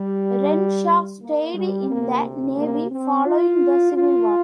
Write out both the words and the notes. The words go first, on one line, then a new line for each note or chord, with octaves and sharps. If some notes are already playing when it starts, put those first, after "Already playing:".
Renshaw stayed in the Navy following the Civil War.
Already playing: G3
A#3
G3
D2 C3 A#3
A#3
C4
F4
F4